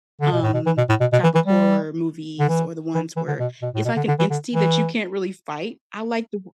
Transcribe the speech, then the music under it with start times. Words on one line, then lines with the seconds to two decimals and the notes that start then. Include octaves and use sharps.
um, type of horror movies or the ones where it's like an entity that you can't really fight, I like the o
0.21 D3
0.32 B2
0.43 A2
0.54 B2
0.66 E3
0.77 B2
0.89 A2
1.01 B2
1.13 B2
1.23 E3
1.35 E3
1.46 G3
2.40 D3
2.49 E3
2.95 E3
3.16 E3
3.28 D3
3.39 B2
3.62 B2
3.74 A2
3.85 B2
3.97 D3
4.08 D3
4.19 E3
4.30 D3
4.53 E3